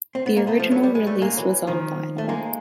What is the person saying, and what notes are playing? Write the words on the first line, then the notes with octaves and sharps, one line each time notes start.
The original release was on vinyl.
C4
B3
A#3
A3 B3
F3
F#3
G3
G#3
G3 A3
G#3 A#3
E3 F#3
D#3 F3
A3
G#3 A#3